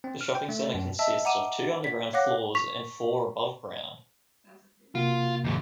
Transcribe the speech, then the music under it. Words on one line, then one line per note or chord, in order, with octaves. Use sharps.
The shopping center consists of two underground floors and four above ground.
C4
F6
G5
A3
A3
F#2
D#5 E5 A5 E6
F#5 A#5 D6 D#7 E7
B6
C#5 F5 F#5 D6 F#6 A#6
C#6 B6 F7
C3 A#3 F4 F#4
D#2 G#2